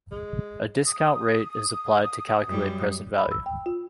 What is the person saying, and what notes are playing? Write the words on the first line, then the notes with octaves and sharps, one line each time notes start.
A "discount rate" is applied to calculate present value.
G#3
D#6
F#2 G3
B5
E6
G5
F4